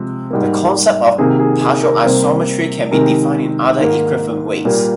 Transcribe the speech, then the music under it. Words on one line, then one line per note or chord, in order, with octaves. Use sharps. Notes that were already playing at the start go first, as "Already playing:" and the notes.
The concept of partial isometry can be defined in other equivalent ways.
Already playing: C3 F3 G#3
G#2 G3 A#3
C3 D#3 A#3 G#4
G#4
G#4
A#4
C3 G3 A#3 C5
C3 D#3 G#3 A#4
G#2 D#3 A#3
A#2 G3 A#3